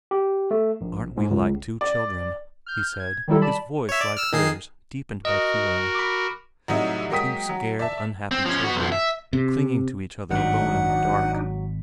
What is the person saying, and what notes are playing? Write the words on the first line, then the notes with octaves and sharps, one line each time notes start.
'Aren't we like two children,' he said, his voice, like hers, deepened by feeling, 'two scared, unhappy children, clinging to each other alone in the dark.'
G4
A3
A#1
G#2
C#2
D5
F6 G6
G#6
D#3 F#3 G3 E4 A4
D5 A5 B5
C#5 E5
D5
E6 F6
D#3 G#4 C7
F#4 A#4 D#5
B5 D6
C2 A2 F#3 D#4 D#5 E5
F#3 G#3 A#3 G5 D#6 B6
F#3
D5 E5 A5
C4
F3 C#4
B3 F#4
B1 F3
E5
C3
G#1 G#2 F#3 D4 D#4 F#5